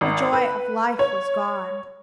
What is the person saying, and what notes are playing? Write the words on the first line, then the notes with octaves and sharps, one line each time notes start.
The joy of life was gone.
G#1
B4
C#5